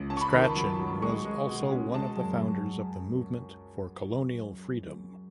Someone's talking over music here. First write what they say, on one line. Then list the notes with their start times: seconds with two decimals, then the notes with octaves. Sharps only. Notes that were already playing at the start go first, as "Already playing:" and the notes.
Strachan was also one of the founders of the Movement for Colonial Freedom.
Already playing: C#2
0.10 C#4 A5
0.17 C#6
0.21 B5
0.33 D#3 B5
0.45 A5
0.56 F#3
0.79 F#3
1.02 G#3 C#6
1.25 G#3
1.48 B2
1.71 C#4
1.94 G#3 A5
2.17 F#2
2.40 G#3